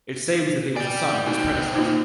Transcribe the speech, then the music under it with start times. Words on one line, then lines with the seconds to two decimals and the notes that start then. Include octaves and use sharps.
It seems that he was a son of his predecessor.
0.76 D5 G5 G#5
1.26 B2 C4 D#4 F#4 G#5 D6
1.75 A#3 D#4 F4 F#4 D6